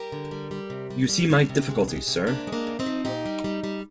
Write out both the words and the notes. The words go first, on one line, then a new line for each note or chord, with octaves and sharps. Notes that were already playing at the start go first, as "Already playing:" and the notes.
You see my difficulty, sir?
Already playing: G3 G4 A#4
D3
G3
G3
C3
G3
G3
G3
C3
G#3
G#3
C3
C3 A#3 D4
G#3
A#3 D4
C3
C4 D#4
F3
A#2 D#4 G4
G3
G3
G3